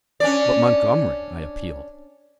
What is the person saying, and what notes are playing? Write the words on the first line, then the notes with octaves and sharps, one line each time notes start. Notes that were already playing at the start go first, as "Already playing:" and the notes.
"But, Montgomery," I appealed.
C#4 D4 D5